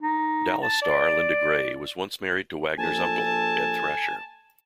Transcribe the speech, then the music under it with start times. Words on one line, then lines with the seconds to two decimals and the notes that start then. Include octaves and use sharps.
"Dallas" star Linda Gray was once married to Wagner's uncle, Ed Thrasher.
0.03 D#4
0.63 A5
0.82 D5
2.78 A#1 A4 G#5 A5